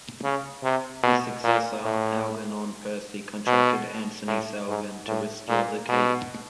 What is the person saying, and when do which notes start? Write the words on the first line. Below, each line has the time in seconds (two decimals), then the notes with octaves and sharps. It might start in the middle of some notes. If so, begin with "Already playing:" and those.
His successor, Algernon Percy, contracted Anthony Salvin to restore the keep.
0.23 C#3
0.63 C3
1.03 B2
1.44 A#2
1.85 A2
3.47 B2
4.27 A2
4.68 G#2
5.08 A2
5.48 A#2
5.89 B2